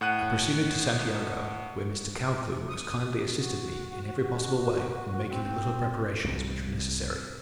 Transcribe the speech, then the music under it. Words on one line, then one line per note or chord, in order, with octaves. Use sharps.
I proceeded to Santiago, where Mr. Caldcleugh most kindly assisted me in every possible way in making the little preparations which were necessary.
A2 F#5 F#6 D#7
D#6
F#4
C4
C2